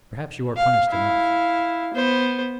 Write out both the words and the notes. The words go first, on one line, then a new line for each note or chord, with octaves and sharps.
Perhaps you are punished enough.
F5
E4 F5
B3 C5